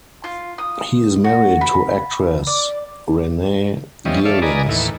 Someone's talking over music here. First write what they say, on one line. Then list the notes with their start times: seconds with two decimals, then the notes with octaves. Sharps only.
He is married to actress Renae Geerlings.
0.24 F4
0.58 D#6
1.24 F#4
1.61 B5
2.47 D5
4.05 E3 F3 G3 C#4 D#5
4.25 A4 C#5 D5 E5 F5
4.42 B4 D5 D#5 G#5 A#5
4.69 D#2 A2 E3